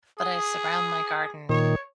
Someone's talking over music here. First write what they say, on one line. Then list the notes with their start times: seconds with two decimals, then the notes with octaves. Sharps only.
but I surround my garden
0.18 G#4 D#6
1.49 A#2 D#3 C#5